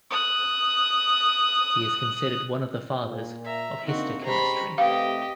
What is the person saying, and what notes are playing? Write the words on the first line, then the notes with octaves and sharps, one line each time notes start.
He is considered one of the fathers of histochemistry.
D#6 F#6
A#2
E5 A#5
A#3 C4 D4 D#4 F#4
G#3 C#4 G4 C5 A#5 B5 C#6
C3 A3 G4 B4 D#5 F5